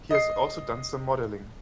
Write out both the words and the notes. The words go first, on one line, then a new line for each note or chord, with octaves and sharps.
He has also done some modeling.
D#5 C7